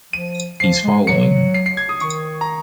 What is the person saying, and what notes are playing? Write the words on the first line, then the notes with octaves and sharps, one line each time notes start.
He’s following.
F3 D#7
F3 C7
G#3
F#3 C#7
C7
C7
G#6
D#6
D#3 C#6
A#5